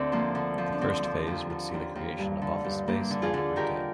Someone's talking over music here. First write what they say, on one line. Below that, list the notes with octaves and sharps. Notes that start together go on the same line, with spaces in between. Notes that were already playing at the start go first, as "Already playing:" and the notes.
The first phase would see the creation of of office space and of retail.
Already playing: D2 D3 C4 D4
F3 A#3
D3
F3
D4
D3 C4
F3
D#2
D3
D#2
D#2
G2
D3
G2
G2 A#3 D4
D3
F4 G#4
D3
D#3 G4 A#4